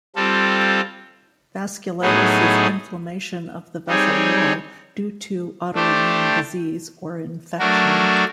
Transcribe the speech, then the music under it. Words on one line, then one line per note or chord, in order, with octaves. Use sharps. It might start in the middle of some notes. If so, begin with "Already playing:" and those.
Vasculitis is inflammation of the vessel wall, due to autoimmune disease or infection.
G3 C4 F4 A4
A2 F#3 B3 D#4 G#4
G3 C4 D#4 G#4 C#5
A3 D4 G4 C5
F#3 A3 D4 F#4 A#4